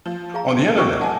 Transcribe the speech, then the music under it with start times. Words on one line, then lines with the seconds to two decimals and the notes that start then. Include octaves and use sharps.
on the Internet."
0.06 F3
0.34 G#4 F5 A#5
0.58 D3
0.77 F#3 A#4 G5 C#6 D6
1.01 D#5 F#5 G#5 A5